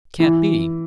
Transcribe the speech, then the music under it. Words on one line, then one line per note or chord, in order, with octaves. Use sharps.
Can't be.
E3